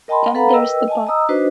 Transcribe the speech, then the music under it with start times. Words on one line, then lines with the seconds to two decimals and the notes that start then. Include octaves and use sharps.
Then there's the but.
0.08 A#4 D#5 G5 A5 B5 C6
0.35 A4 B4 F5 F#5 A#5 B5
0.53 A#4 B4 D#5 G5 E6
0.88 D#5 G#5 A5
1.07 D#5 A#5 D#6 E6
1.29 D4 D#4 F#4 B4 C5 D#5